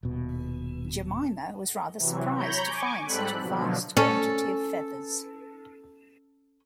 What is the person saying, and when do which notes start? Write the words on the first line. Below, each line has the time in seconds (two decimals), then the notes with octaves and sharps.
Jemima was rather surprised to find such a vast quantity of feathers.
0.03 D#1 B2
1.96 C3 E3 F#3
2.35 C#5 A#5 B5 G6
2.64 G#5 C#6 D6
3.05 G#2 G3 C4 A4 B5 F#6
3.41 B2 D3 F3 F#3
3.97 C#4 A4